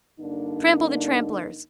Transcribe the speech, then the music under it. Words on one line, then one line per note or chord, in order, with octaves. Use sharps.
Trample the trampellers.
G2 D3 A#3 D4 D#4